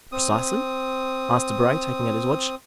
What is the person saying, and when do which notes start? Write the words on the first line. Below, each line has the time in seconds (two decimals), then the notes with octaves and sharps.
"Precisely?" asked Debray, taking out his watch.
0.12 C4 D#6